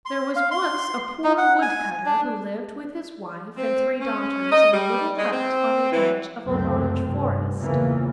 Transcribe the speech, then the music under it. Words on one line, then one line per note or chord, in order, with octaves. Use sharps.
THERE was once a poor Woodcutter who lived with his Wife and three Daughters in a little hut on the edge of a large forest.
C6
F5
C6
D#4
F#5
G#5
D4
C4
C#4
D#5
G3
G#3
C4
E3
C#2 F#2 C3 A3 C4
F1 G2
E2 A#2 C#3 E3 F3 A#3